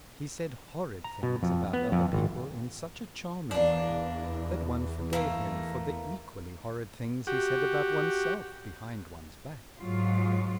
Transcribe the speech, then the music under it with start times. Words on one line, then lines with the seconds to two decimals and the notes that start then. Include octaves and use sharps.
He said horrid things about other people in such a charming way that one forgave him for the equally horrid things he said about oneself behind one's back.
1.04 A#5
1.23 B2
1.43 F2
1.73 B3
1.92 F2
2.13 G#1
3.51 E2 A#3 D4
5.13 A3 A#3
7.27 F#4 G4
9.78 G#2 F#3 F4